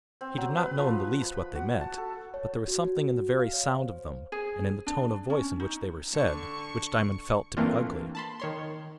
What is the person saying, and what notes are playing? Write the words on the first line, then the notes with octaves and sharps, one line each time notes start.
He did not know in the least what they meant, but there was something in the very sound of them, and in the tone of voice in which they were said, which Diamond felt to be ugly.
C4
F#3
B4
F3
B5
F#4
A5
A4
C#5
F#4
F5
C#5
C5
G#4
D4
C#4
D#4
D3 C#6
E3 A3 A#3 C4 D4 F4
A5 B5 C6
D#3 C#5 C6